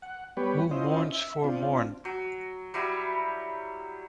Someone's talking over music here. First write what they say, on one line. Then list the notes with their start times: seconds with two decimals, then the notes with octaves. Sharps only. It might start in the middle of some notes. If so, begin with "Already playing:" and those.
Who Mourns for Morn?
0.02 F#5
0.37 G3 B3 G4 B4 C#5
0.71 C#4 E4 F4 C5 D#5
1.12 E5
1.44 C4 D4 F4
2.05 F#3
2.74 F#3 G3 E4